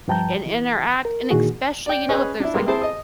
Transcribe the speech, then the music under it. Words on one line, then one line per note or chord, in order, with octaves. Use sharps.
and interact, and especially, you know, if there's like
G2 F3 G5 A5 A#5 G6
E3
A#4
A#2 D#3 E3 F#4 G#4
D5 G5
C#4 G#4 B4 C#5 D#5 G#5
D4 E4
G2 G#3 A#3 A#4 C6
C4 E4 G#4 C5 A5
D#5 D#6